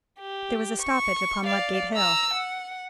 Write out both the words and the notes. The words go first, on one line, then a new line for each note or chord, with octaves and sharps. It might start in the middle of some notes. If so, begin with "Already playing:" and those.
There was a stoppage upon Ludgate Hill.
G4
C#6
D5 F5
A#5 E6
F#5